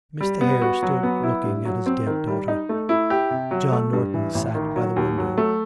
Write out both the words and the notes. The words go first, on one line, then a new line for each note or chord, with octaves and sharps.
Mr. Hare stood looking at his dead daughter; John Norton sat by the window.
G3
B3
F#4
F#3
B3
E4
G2
F#3
C4
D#3
G3
D#4
A3
E4
G4
C3
F#3
A3
G2
E3
A1
D#3
F#3
D#2
F#3
A3